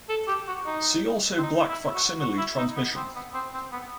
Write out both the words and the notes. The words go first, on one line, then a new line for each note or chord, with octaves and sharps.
See also Black facsimile transmission.
A4
G4
F#4
D#4
C4
D#4
E4
F#4
F#4
E4
D#4
B3
C4
B3
C4
C4
B3